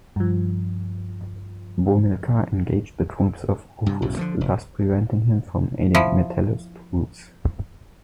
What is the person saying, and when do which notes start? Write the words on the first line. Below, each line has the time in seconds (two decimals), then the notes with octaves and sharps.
Bomilcar engaged the troops of Rufus, thus preventing him from aiding Metellus' troops.
0.16 G2 F3
3.86 G2 C3
4.02 B1 F#2 A2
4.17 D3 F3 A3
4.41 F1
5.95 F3 E4